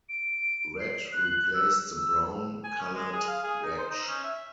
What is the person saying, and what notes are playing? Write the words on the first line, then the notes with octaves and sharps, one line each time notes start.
Red replaced the brown-colored wedge.
D7
C7
F#6
E6
E6
G#5
C#4
G#3
G#4
F5
G#4
D#4
C5
D#4
C#4
E5